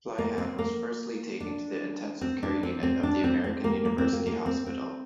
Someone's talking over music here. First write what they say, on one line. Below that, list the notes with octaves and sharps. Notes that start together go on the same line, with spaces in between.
Fleihan was firstly taken to the intensive care unit of the American University Hospital.
A#3
C4
A#3
D4
C4
D4
C4
C4
D4
C4
C4
A#3
A#3
C4
A#3
A#3
C4
C4